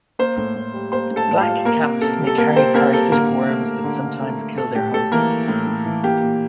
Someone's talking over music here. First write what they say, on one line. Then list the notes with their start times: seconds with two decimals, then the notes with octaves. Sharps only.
Blackcaps may carry parasitic worms that sometimes kill their hosts.
0.19 A#3 C5 C6
0.38 A2
0.56 A2
0.74 G3
0.92 A#3 C5 C6
1.11 A2
1.16 A4 A5
1.28 A2
1.41 F4 F5
1.47 G3
1.65 A#3 A#4
1.83 C3
2.02 C3 A4
2.20 G3
2.27 A4
2.38 A#3 A#4
2.56 C3 C4 C5
2.74 C3 A#3 A#4
2.93 G3 A4
3.12 D3 A#3 A#4
3.30 D3
3.48 A3
3.66 A3
3.84 D3
4.02 D3
4.21 A3
4.39 A3
4.58 A3 A4
4.75 A2 G4
4.94 A2 A4
5.12 E3 A#3 A#4
5.30 A3
5.48 A2
5.67 A2
5.86 E3
6.03 A#3 G4
6.21 A#2